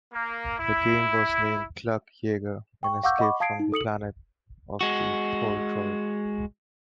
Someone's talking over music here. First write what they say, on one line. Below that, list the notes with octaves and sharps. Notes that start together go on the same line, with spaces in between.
The game was named "Cluck Yegger in Escape From The Planet of The Poultroid".
A#3
E4
G5 C#6
F5 F#5 C#6 D6 E6 G6
D#5 F#5 B5 C#6 D6
F5 A5 D#6 G#6 C7 D7
D#4
A4 D#6 C#7 F#7
G#3 F#4